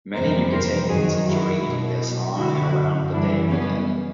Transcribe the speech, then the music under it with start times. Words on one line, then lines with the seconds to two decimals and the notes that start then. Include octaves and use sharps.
Many Yucatecans enjoy eating this on and around the Day of the Dead.
0.14 F2 C3 E3 G3 A#4 C5
0.51 A#4 C5
0.88 F#2 D#3 F#3 F#4 G#4
1.26 E4 F#4
1.63 B2
1.68 F#3
2.37 F#2 D3 F#3 E4 F#4
3.12 F#2 C#3 E3 G3 D4 E4
3.50 B3 C#4